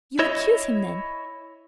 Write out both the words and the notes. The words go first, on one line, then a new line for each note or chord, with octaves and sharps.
You accuse him, then?
E4 C#5 D#5 E5